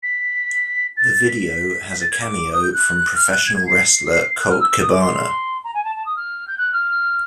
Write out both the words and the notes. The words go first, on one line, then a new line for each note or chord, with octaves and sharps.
The video has a cameo from professional wrestler Colt Cabana.
B6
A6
B6
B6
A6
G#6
D6
D#6
G6
F#6
F6
F#6
G#6
G#6
C7
F#6
F6
E6
E6
D#6
D6
C6
A#5
G#5
A5
A5
D#6
F6
G6
F#6
F6